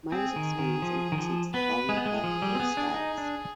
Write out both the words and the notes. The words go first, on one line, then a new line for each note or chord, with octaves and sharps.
Myers explains and critiques the following five prose styles.
C4 G#4
D#3
D#3
F3
D#3
F3
B3 B4
G#3 G#4
B3
G#3
F3
G3
C4
B3
D4
D#4
D4